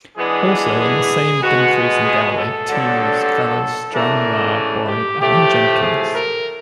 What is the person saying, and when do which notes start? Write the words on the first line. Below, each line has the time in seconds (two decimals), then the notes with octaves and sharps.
Also in the same Dumfries and Galloway team was fellow Stranraer boy Allan Jenkins.
0.17 E3 G#3 B3 D4 G#4
0.79 G#4
1.43 B2 G#3 B3 F#4
2.05 G#4
2.37 A4
2.68 G2 D3 F#3
3.94 C#3 E3 A3 D4 A#4
4.88 G4
5.19 A2 F3 A3 G4
5.83 G#4
6.14 A#4